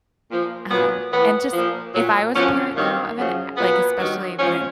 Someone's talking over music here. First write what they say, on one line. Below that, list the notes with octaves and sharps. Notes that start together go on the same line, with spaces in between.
Um, and just if I was a parent though, of an like, especially when I
A#2 F3
A#2 F#3 B3
A2 E3 B3
A#2 F3
A#2 F#3
F#2 D3 F3 C#4
G2 D#3 F#3 A#3
F#2 C#3 F3
A#2 F#3 B3
G2 D#3 F#3
G#2 F3 C#4